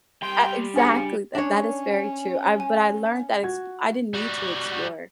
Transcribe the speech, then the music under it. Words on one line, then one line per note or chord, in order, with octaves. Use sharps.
uh, exactly, that that is very true, I but I learned that exp I didn't need to explore.
G3 G5 C6
C#3 F3 D4 G#5 C#7
C#4 D4 C#5
G#5
F#4 G#6
G3 F#4